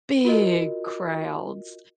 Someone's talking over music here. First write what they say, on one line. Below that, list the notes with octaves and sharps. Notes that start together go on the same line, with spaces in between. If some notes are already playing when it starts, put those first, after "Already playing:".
big crowds.
F4 F#4 A#4 D#5